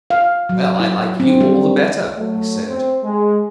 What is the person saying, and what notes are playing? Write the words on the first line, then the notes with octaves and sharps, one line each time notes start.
"Well, I like you all the better," he said.
F5
F#3
E4
C4
G3
F#3 A3
C4
G#3